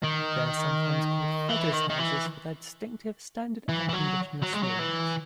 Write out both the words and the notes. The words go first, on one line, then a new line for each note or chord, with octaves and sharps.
They are sometimes called "Fedders Houses" for their distinctive, standard air conditioner sleeves.
D#3
E3
D#3
D#3
E3
E3
E3
F#3
F#3
G#3
F#3
E3